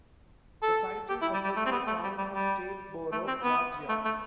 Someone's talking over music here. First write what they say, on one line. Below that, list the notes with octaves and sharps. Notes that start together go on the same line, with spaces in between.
The title refers to the town of Statesboro, Georgia.
A4
G4
E4
G3
G3
A3
C4
B3
A3
G3
G3
G3
A3
C4
B3
A3
A3